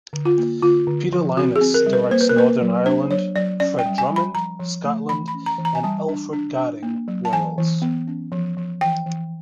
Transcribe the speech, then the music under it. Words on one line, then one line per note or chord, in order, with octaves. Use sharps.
Peter Lynas directs Northern Ireland, Fred Drummond, Scotland, and Elfed Godding, Wales.
D3
F4
A#3
D3 F4
D3
F3
C4 F#4
G#4
C4
A#4
G3
B4
A#3 C5
B4
A#4
A#3 B4
F#3
D4 C5
F#3 C#5
F#3 D5
C#4 D5
G5
G3
G#5
G3
B5
F3 A#5
F3
A3
E3 B5
B5
C#4
A#5
E3
A#5
G#5
G3 A5
D4
D4
D4
A#3
F#3
A5
E3 G#5
E3
B3
C#4
F3
F3
E3 G5
E3